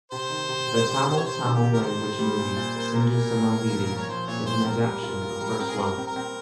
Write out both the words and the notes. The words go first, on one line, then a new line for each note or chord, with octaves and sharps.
The Tamil Tamil language movie "Sindhu Samaveli" is an adaptation of "First Love".
C3 C5
D#3
C3
C3
C3
C3
C#5
C3 C5
D#3
G4
C3
A#4
D#3 C5
D#3
G3
A#2
A#2
A#3
A#3 A#4
A#3
A#2
A#2
F3
F3
C#5
F3 C5
A#2 C#5
A#2 C5
C4 A#4
G3
F4
F4
G3
C4
G#4
G3 A#4
C4
A#4
C4